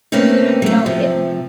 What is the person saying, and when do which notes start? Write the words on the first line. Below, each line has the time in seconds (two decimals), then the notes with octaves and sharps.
you know, i
0.12 C3 A3 A#3 C4 C#4 B4
0.62 F#3 A3
0.86 C3 F3